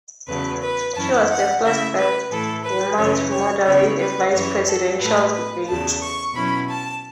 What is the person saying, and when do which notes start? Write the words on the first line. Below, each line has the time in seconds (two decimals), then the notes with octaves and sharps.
She was the first black woman to moderate a vice-presidential debate.
0.28 E2 C#3 F#3 A3 B4
0.62 B4
0.95 F#2 E3 C#4 E4 A5
1.29 F#5
1.63 C#3 A3 E4 E5
1.97 B4
2.30 A2 E3 A3 E4 A4
2.63 B4
2.98 F#2 C#3 E3 C#4 C#5
3.31 C#5
3.66 C#3 F#3 B3 E4 C#5
3.99 B4
4.33 F#2 E3 C#4 C#5
4.67 A4
4.99 A2 F#3 A3 B4
5.33 B4
5.67 E2 C#3 A3 A5
6.01 C#6
6.34 B2 F#3 C#4 E4 B5
6.68 A5